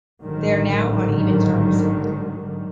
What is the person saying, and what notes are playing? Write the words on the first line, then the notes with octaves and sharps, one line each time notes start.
They are now on even terms.
A1 G#2 D3 D#3 F#3 G3